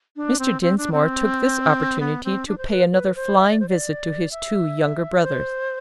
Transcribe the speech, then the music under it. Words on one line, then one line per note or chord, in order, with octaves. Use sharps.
Mr. Dinsmore took this opportunity to pay another flying visit to his two young brothers.
D4
C4
C4
D4
C4
B3
C4
D4
C5
B4
B4
C5
E5
D5
C5
D5
E5
D5
C5